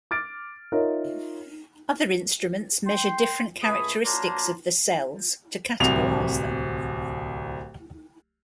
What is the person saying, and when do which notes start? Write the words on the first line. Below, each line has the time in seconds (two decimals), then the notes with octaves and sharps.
Other instruments measure different characteristics of the cells to categorize them.
0.11 D6 F6 A6 D7
0.72 D#4 F4 A#4 C#5 D#5 E5
2.87 G5 C6
3.63 C#2 A3 G#4 B5 D#6
4.06 F#3 A#3 D4 A5 A#5 C6
5.80 D1 C2 F7